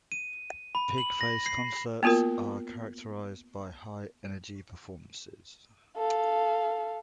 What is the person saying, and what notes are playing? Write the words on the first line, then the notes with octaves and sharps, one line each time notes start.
Pigface concerts are characterized by high-energy performances.
D#7
B5
F#7
A#6
C7
A#3 B3 F4 F#4 A#4
A4 F5